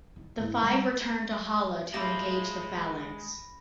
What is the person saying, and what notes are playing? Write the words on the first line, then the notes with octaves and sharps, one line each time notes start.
The five return to Hala to engage the Phalanx.
D#3
G#1 E4
G3 A3
G#3 A3 G4 C5 F5 B5 A#6